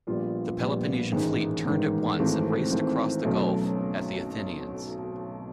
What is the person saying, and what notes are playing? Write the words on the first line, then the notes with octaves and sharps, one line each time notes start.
The Peloponnesian fleet turned at once and raced across the gulf at the Athenians.
A#1 A#2 G3 B3 F4
A#1 A#2 G3 B3
A1 G#2 D#3 G#3
A1 G#2 D#3 G#3
G#1 G#2 E3 A3 C4
G#1 G#2 E3 A3 C4
B1 B2 F#3 A3 C#4